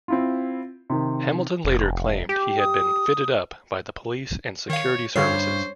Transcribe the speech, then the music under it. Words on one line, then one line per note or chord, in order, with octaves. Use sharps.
Hamilton later claimed he had been "fitted up" by the police and security services.
C4 E4 F4
C3 D#3
F1
G4
D#6
D#3 C#5 F5
G2 D3 C5 C#5 C7